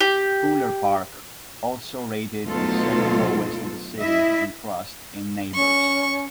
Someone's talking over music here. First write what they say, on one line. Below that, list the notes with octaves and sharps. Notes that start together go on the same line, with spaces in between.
Fuller Park also rated the second-lowest in the city in trust in neighbors.
G4
D2 B2 F#3 D#4 F4 A4
E4 D#5 E5
C#4 C#6